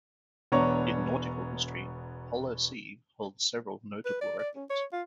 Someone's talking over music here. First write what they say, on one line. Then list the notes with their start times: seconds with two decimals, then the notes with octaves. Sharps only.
In nautical history, "Polar Sea" holds several notable records.
0.52 E1 B3 D4 C#5 A#5 C#6
4.05 B4
4.21 D5
4.39 D5
4.56 C#4
4.70 C#5
4.93 F4